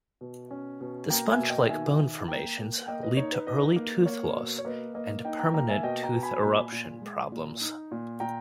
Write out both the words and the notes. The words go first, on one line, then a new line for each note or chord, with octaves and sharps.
The sponge-like bone formations lead to early tooth loss and permanent tooth eruption problems.
B2
C#4
B2
A#3 G5 A#5
E5 G#5
B2
D#5 G5
D#3 E5 G#5
D#3
A#3 G5 A#5
A#3
A#3 D#5 G5
B4 D#5
D#4 C#5
B4
D#4 B4 D#5
A#3
A#3 C#5
B2
C#5
A#3 B4 D#5
A#3 B4 D#5
D#4 D#5 G5
G5 A#5
A#3 G5 A#5
E5 G#5
B2 D#5 G5
G5 A#5
B2
G#5 B5
A#2 G#5 B5
A#2
G#3
A#2
D#4
A#2
A#2 G5 A#5